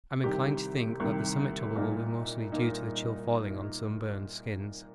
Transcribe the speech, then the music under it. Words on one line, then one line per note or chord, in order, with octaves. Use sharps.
I'm inclined to think that the summit trouble will be mostly due to the chill falling on sunburned skins.
C2 C3 D#3 G4
C2 C3 D#3
C2 A#2 A#3 D#4
A#2 A#3 D#4